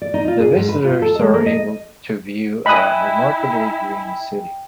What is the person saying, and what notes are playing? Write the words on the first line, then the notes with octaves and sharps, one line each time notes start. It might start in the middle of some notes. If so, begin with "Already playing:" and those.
The visitors are able to view a remarkably green city.
D5
D#4
F4
G#4
G#2
B4
F4
A4
G#3
A#3
D#5
E4 D#5 G5 G#5 B5 D#6 F#6